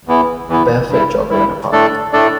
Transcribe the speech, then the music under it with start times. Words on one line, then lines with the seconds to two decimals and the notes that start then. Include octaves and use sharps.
A barefoot jogger in a park.
0.07 E2 E3 B3 E4
0.48 E2 E3 B3 E4
0.89 G2 G3 E4
1.30 G2 G3 E4
1.72 A2 A3 D4 A4 D5
2.13 A2 A3 D4 A4 D5